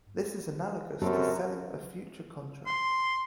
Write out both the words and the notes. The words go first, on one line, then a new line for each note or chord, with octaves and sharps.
This is analogous to selling a future contract.
F#2 C4 G4 A4
C6